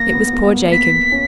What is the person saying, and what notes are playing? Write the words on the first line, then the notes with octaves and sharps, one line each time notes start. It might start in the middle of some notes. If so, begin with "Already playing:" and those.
It was poor Jacob.
Already playing: A#3 A#6
B3
B3
A#3
B3
A#3
A#3
B3 B6
C#4